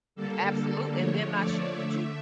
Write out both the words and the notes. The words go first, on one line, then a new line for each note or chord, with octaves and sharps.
Absolute and then I shoot you.
D3 G3 A#3 A4
A4
D3 F3 A3 C#5
D5
D3 A3 E5